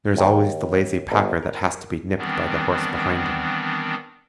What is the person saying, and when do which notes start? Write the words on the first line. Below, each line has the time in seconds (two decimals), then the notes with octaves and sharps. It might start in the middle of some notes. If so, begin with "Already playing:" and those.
There is always the lazy packer that has to be nipped by the horse behind him.
0.17 D#2
1.12 G1
1.43 A#4
2.18 D#3 E3 G3 B3 C4 D4